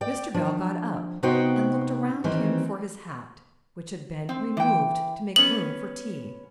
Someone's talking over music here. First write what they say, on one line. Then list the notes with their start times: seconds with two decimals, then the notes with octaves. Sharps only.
Mr. Bell got up and looked around him for his hat, which had been removed to make room for tea.
0.01 D5 G5
0.34 F3 D4
1.23 C3 B3 D#4 F#4 C5 G5
2.24 D#3 E3 G3 C4
4.29 C4
4.57 E3 G5
5.36 B3 C#4 F#7